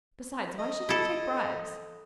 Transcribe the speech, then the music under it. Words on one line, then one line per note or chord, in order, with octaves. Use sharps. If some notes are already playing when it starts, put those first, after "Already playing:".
Besides, why shouldn't he take bribes?
D#5
E4 A4